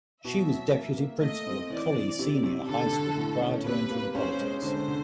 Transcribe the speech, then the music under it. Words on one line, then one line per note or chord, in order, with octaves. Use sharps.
She was deputy principal of Collie Senior High School prior to entering politics.
B2 E5
F#3
A#3
A#3
A3 D#5
C4
E3 D5
E3
C3
C3
D3 A4
D3
A2
C#4
C3 B4
A#3
C#4 C5
G#3
D3 C5
D3